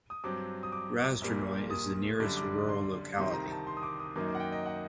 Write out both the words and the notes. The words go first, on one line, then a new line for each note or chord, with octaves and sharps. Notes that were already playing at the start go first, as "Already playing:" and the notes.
Razdrornoye is the nearest rural locality.
D#6
G2 F#3 C4 D6
D#6
D6
A#1 A#2 G3 A#3
D#6
F#2 D3 G3 D4 D6
D6
C6
C2 C3 D#3 C6
A#5
A5
C6
D#6
D6
D#6
F#2 D#3 F#3 A#3 D#4 D6
D6
F#5
G5
D#5
F#5